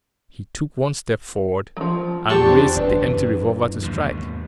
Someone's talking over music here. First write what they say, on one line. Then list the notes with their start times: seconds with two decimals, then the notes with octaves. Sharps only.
He took one step forward and raised the empty revolver to strike.
1.77 F3 F#3
2.30 E2 C4 D4 G4 A5 C#6
2.76 F#1 D4 B4 D5
3.01 F#2 E3
3.82 D#2 G#2 B2